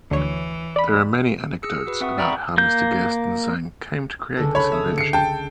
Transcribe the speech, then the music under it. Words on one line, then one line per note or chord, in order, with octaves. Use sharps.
There are many anecdotes about how Mr. Gerstenzang came to create this invention.
D2 E3 C#5
D5 B5
G#4 E6 C#7
F#4 B4
C4 E5 F#5 C#6 D#6
D5 E5 G5 A#5 B5 C#6
A#3 G6
C#2 D3 A4
C#5 B5
E5 D#6
C7 C#7
G5 A5